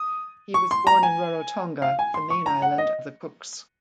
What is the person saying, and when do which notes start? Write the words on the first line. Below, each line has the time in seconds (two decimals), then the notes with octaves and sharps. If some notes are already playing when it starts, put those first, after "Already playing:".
He was born in Rarotonga, the main island of the Cooks.
Already playing: D#6
0.54 C#6
0.71 C6
0.87 A#5
1.03 G#5
1.82 F5
1.99 G#5
2.14 C6
2.30 C#6
2.46 A#5
2.62 F#5
2.78 D#5